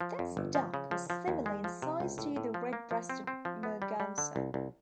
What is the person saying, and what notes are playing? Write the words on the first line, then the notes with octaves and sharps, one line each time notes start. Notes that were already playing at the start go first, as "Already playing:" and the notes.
This duck was similar in size to the red-breasted merganser.
F3
F2
G1
F3
C#3
F3
F3
D#2
G#3
F3
C3
C#2
A2
A2
F3
A#3
F3
C4
C4
F3
B3
G3
G3
D3
C2
C2